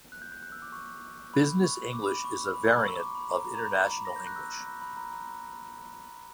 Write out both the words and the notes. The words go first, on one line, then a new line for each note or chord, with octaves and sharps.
Business English is a variant of international English.
F#6
G6
G6
F#6
E6
D6
C#6
B5
C#6
D6
B5
B5
C#6
B5
A#5
B5
C#6
D6
B5
A#5
B5
A#5
B5
A#5
B5
A#6
G6
F#6
E6
B5
B5
A#5
A#5